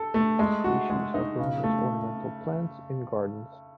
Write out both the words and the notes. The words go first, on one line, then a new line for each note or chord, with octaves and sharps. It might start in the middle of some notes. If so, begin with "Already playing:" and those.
Species are grown as ornamental plants in gardens.
Already playing: A4
A3
G#3
F#4
G#3
D#4
C#3
A3